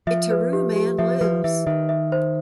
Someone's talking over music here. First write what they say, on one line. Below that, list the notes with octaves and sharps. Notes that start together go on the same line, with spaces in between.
Gitaroo Man Lives!
F3 E5
B4
G4
G4
F3 E5
F3 B4
E3 E5
D#3 E5
E5
C5